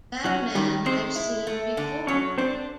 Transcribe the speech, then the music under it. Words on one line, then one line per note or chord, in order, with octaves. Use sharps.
That man I’ve seen before.
F#3 C#4 F#4
D#3 G3 G4
G#3 C4 C5
E4
A3
D3
F#3 C#4 C#5
C4 D4 C5